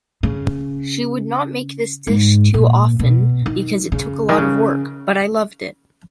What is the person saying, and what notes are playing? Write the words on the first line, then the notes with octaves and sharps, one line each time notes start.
She would not make this dish too often because it took a lot of work, but I loved it.
C#3
G#2
A#2
B2
D#3
C#3
D#3
C#3